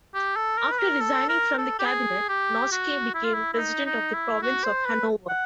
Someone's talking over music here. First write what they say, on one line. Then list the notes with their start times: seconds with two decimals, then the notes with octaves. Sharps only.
After resigning from the cabinet, Noske became president of the province of Hannover.
0.14 G4
0.36 A4
0.58 A#4
0.72 B4
0.79 A#4
1.01 A4
1.29 A#4
1.58 A4
1.79 G4
1.86 G#4
2.29 G4
2.72 F#4
3.14 E4
3.24 F4
3.33 E4
3.54 E4
3.57 D#4
3.86 D#4
4.14 E4
4.42 F#4
4.64 C5
4.86 B4
5.29 F#5